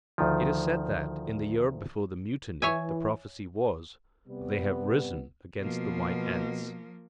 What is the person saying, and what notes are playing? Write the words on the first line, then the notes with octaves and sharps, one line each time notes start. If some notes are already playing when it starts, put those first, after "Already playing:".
It is said that, in the year before the Mutiny, the prophecy was "They have risen against the white-ants."
D2 D#3 F3
E3 C#5 E5 G#5
C3 G3 B3
B2 F3 A#3